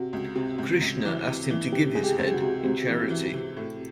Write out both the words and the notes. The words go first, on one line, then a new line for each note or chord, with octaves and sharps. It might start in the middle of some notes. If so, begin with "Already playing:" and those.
Krishna asked him to give his head in charity.
Already playing: C3 F#4
C#2
C3
C#2
C#2
E3
C3
E3
C3 G4
C#2 G#4
G4
C#2
F#4
C3
C3 C4
E3
E3
C3
A2